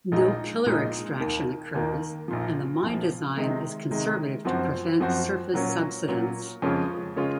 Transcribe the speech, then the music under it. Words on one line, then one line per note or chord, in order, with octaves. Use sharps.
No pillar extraction occurs, and the mine design is conservative to prevent surface subsidence.
A#1 A#2 G#3 D#4
A#1 A#2 G#3 D#4
D#2 D#3 A#3
D#2 D#3 A#3
A#1 A#2 F3
A#1 A#2 F3
C3 D#3 G#3
C3 D#3 G#3
F#2 F3 C4 F#4 C5
F#2 F3 C4 F#4 C5
A#2 F#3 C#4
A#2 F#3 C#4
F2 C#3 G#3 C#4 F4
C#3 G#3 C#4 F4